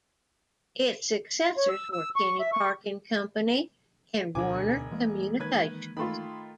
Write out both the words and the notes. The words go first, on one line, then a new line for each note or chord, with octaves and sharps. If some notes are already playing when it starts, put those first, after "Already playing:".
Its successors were Kinney Parking Company and Warner Communications.
C#5
E6
E6
C#6
E5
C#6
E1 D2 B2 D4 G#5 D6
E3 G#3 A#3
D#3 B4 G#6
D#3 A3 F4 B5 C6